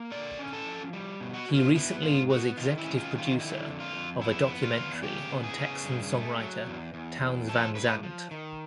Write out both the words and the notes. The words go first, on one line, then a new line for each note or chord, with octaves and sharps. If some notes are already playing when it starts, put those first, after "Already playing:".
He recently was executive producer of a documentary on Texan songwriter Townes Van Zandt.
Already playing: A#3
D3 D5
C#4
A4
F3
G3
B2
F#4
B2
F4
B3 E4
G#2 F4
B3 F#4
D#3 F4
E4
C#4
F4
D#3
F4
D3 E4
F2
F4
F2
B3 E4
B3
F4
E2
C#3 G4
B3
G#4
C#3
G2
A3
F#3
E2
E2
E2
F3 A4
A2 B4
F3
D#3